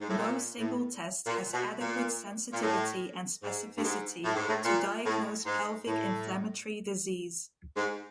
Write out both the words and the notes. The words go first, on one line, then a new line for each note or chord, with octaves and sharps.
No single test has adequate sensitivity and specificity to diagnose pelvic inflammatory disease.
G#2
A2
A#2
A2
A#2
B2
A#2
A#2
A2
G#2
G2
G#2
A2
G#2
A2
A#2
A2
G#2
A2
G#2